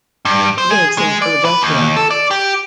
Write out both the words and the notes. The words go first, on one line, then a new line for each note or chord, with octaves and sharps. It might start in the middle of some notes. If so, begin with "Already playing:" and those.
He lives in Philadelphia.
G2
C5
G#4
G#3
D5
B4
D#2
A4
D5
G4